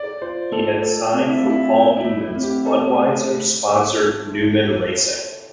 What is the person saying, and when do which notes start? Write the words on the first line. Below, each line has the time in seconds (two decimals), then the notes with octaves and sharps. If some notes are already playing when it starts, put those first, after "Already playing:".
He had signed for Paul Newman's Budweiser sponsored Newman Racing.
Already playing: D5
0.22 F4 C5
0.52 A3 A4
0.82 A3 A4
1.14 C4
1.28 E4
1.39 A3 F4
1.50 E4
1.74 A3
1.97 E4
2.04 A3
2.20 E4
2.35 C4
2.43 G4
2.66 A3 A4
2.96 A3